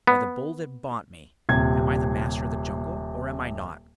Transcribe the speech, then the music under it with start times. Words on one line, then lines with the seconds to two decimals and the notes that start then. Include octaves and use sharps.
By the Bull that bought me! am I the Master of the Jungle, or am I not?
0.07 B3
1.49 D#1 C3 G#6